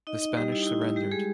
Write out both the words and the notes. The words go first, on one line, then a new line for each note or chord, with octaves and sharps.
The Spanish surrendered.
D#4 D#5
D#4 D#5
G3 G4
E4
D#4
E4
E4
G3 G4
G#3 G#4